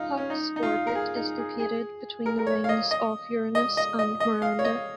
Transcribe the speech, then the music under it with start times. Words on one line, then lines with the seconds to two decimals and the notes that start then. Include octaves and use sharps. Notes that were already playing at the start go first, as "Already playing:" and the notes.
Puck's orbit is located between the rings of Uranus and Miranda.
Already playing: D#4 F4
0.17 C#4
0.30 D#4
0.56 D#4
0.63 F4
0.87 A#4
0.95 G#4
1.16 D#4
1.38 G#4
1.60 G#4
2.26 A#4
2.39 A#4
2.47 C#5
2.64 F5
2.69 D#5
2.91 D#5
3.55 D#5
3.77 D#5
3.99 D#5
4.20 D#5
4.42 F5
4.59 C#5
4.64 D#5